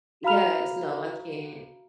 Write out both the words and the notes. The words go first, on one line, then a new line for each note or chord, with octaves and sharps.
Yes, no, I can't.
F#4 F5 A#5 B5 F6 F7